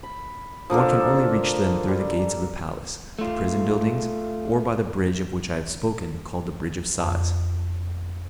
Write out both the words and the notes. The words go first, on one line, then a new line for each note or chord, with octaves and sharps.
One can only reach them through the gates of the palace, the prison buildings, or by the bridge of which I have spoken called the Bridge of Sighs.
B5
F3 A#3 D4 A4
G3
A3 F4
F2